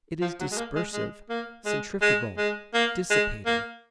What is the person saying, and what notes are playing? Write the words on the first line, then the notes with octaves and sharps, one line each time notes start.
It is dispersive, centrifugal, dissipating.
F3
F#3
G#3
A#3
G#3
G#3
A#3
G#3
G#3
G#3
A#3
G#3
A#3